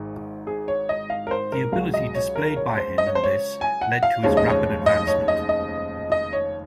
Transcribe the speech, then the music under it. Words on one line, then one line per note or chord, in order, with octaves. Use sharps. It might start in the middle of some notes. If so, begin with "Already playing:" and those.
The ability displayed by him in this led to his rapid advancement.
Already playing: G#1 G#2 D#3
G#4
C#5
D#5
F5
A#4
C5
A#4
C#2 C#3 F#3 F5
D#5
C#5
A#4
C#5
C5
D#5
C#5
C5
C#5
G#5
F#5
F5
F1 D#2 C#3 F3 G#3 C#5
D#5
C#5
D#5
C#5
D#5
D#5
D#5
C#5